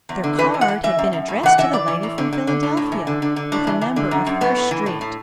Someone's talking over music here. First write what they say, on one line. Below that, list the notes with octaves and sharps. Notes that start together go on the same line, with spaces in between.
Their card had been addressed to the lady from Philadelphia, with the number of her street.
E2
D3
E3 B4
E3
F#5
E3
E3 E5
F#2
F#2
A2
E3 F#5
E3 E5
E3 D5
E3
A2
D3
D3
D3
A2
A2
E3
D3
D3
D3
A2 D4
E3
E3
D3
F#2
F#2
A2 B3
A2
E3
A2
A2